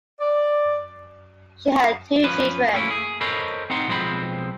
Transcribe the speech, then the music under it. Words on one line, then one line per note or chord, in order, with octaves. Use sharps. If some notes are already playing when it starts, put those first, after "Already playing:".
She had two children.
D5
F3 C#4 B4
A3 A#3 C#4 E4
G#4
A4 A#4 C5 C#5 D#5 B5
C4 D#4 F#5 C6
B1 F3 G#3 C4 C5 B5